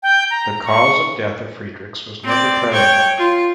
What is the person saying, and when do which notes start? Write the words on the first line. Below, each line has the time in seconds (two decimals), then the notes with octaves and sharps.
The cause of death of Friedrichs was never clarified.
0.03 G5
0.30 A#5
0.65 C#6
2.24 C4 D5
2.72 C#5 G5
3.18 F4